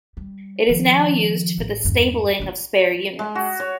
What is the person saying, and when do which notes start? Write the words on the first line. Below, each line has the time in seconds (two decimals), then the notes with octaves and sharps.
It is now used for the stabling of spare units.
0.17 G3
0.69 D#3 F3
1.58 A1
1.84 E2 G2
2.39 D3 A#3
3.19 G#3
3.35 F#4
3.60 C#5